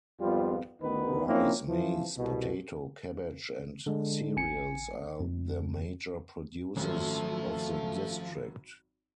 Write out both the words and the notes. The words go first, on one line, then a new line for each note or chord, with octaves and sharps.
Rice, Maize, Potato, Cabbage and cereals are the major produces of the district.
G#1 F2 G3 B3 F4
A1 D2 D#3 B3 D#4 B4
F3 A#3 C4 C#4 D#4 E4
E3 F3
C2 B2
D3 G#3
A1 G#5 C#7
F2
G#1 F#2 F3 A3